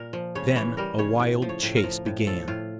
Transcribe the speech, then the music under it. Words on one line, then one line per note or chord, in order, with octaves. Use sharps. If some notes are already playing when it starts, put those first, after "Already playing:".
Then a wild chase began.
Already playing: A#2 A#4
F3
C#3 C#5
E3 C#5
G3 A#4
C#3 C#5
A2
F3
C#5
A2
A#4
F3
A2
F3 A4
A2 F4